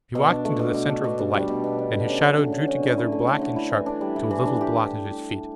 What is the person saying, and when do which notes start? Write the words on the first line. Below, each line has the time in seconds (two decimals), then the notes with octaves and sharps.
He walked into the centre of the light, and his shadow drew together black and sharp to a little blot at his feet.
0.15 B2
0.30 D4
0.45 A3
0.59 B2
0.74 B2
0.89 D4
1.04 B2
1.19 D4
1.34 G3
1.49 B2
1.64 B2
1.79 D4
1.93 D3
2.08 C#4
2.23 F#3
2.38 D3
2.52 D3
2.67 C#4
2.83 D3
2.98 E4
3.12 A3
3.27 D3
3.41 D3
3.56 E4
3.71 E3
3.86 D4
4.01 G3
4.16 E3
4.31 E3
4.45 D4
4.61 G4